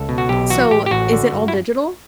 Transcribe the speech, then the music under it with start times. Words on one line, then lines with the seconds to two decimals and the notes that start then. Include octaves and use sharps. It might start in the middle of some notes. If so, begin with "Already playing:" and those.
Eh, so, is it all digital?
Already playing: C#2 A4
0.09 B2
0.18 F#4
0.29 B1 G4
0.50 E3 F#4
0.71 A2 G4
0.86 G4
0.91 A1 F#4
1.12 D3
1.32 G2
1.48 E4